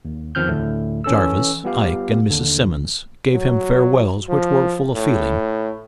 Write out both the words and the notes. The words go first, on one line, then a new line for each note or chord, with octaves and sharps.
Jarvis, Ike, and Mrs. Simmons gave him farewells which were full of feeling.
D#2
E2 D#3 F3 C4 F6 G6
D2 A2 D3 A3
E3 C#4 A4 E6
G3 B3 F4 G4 F5
D#2 D3
F#3
F3
A2